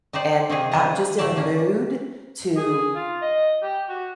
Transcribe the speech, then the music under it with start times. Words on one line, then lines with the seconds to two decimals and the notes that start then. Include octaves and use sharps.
and I'm just in a mood to
0.13 D#4 G4 C5 D5
0.50 C3 D#3 A#3 G4 G#4
0.72 F3 G3 D4 A#4 D#5 A#5
1.18 A2 D3 A3 A#3 D5 A5
1.36 A#3 C#4 D4
2.57 G#4
2.96 F4
3.22 D#5
3.63 G4
3.89 F#4